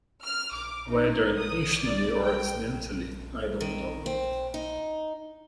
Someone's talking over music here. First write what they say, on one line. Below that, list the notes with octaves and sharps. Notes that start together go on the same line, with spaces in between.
Whether intentionally or accidentally, I don't know.
F6
D6
D#4
D#6
D5
G5
D#3
C4
D#4